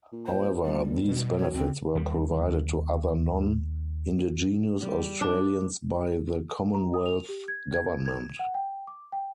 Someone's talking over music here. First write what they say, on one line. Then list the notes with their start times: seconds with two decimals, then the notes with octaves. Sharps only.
However, these benefits were provided to other non-Indigenous Australians by the Commonwealth Government.
0.12 A#2
0.26 C5
0.65 G1 G3
1.08 B2
1.37 F#3 C#5
1.54 D2 C4
1.95 D#2 G3
4.81 G3
5.21 D4
6.74 A#5
6.94 D#6
7.06 F7
7.29 G4
7.48 G#6
7.74 G#6
8.06 G#6
8.39 F#5
8.54 G5
8.87 D6
9.12 G5